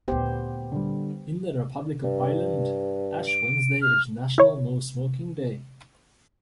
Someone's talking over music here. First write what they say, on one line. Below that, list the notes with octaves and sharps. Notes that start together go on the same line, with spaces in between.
In the Republic of Ireland, Ash Wednesday is National No Smoking Day.
D2 A#2 B3 G4 C5
D3 G3
G2
D7
F6
E4 C#5